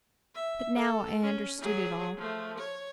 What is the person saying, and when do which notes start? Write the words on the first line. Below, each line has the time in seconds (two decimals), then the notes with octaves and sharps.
But now I understood it all.
0.35 E5
0.76 A4
1.22 C#4
1.61 F#3 G#4
2.17 F3 A3
2.58 C#5